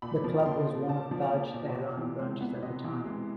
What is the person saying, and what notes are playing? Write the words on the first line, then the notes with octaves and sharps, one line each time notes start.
The club was one of Taj Tehran branches at the time.
A#2 B5
F3
A#3 C6
A#2
A#2 A5
F3
A#3
A#2
C3
E3
G#3
B3
C3 D#5
E3
G#3